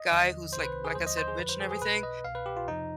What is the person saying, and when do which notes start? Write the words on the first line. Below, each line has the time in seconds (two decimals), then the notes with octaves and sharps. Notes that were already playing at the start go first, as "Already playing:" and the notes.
guy who's like like, I said, rich and everything.
Already playing: D#5
0.10 D#2 D3 F3
0.52 C2 C3 D#3 C5
0.64 B4
0.85 G#4
0.95 D#2 D3 F3 C5
1.07 D#5
1.17 C5
1.28 G#4
1.38 F2 D3 F3 B4
1.49 C5
1.60 G#4
1.71 G#4
1.81 B1 B2 B4
2.03 D#5
2.24 C2 B2 F5
2.35 B4
2.46 G4
2.57 F4
2.67 F2 C3 F3 D#4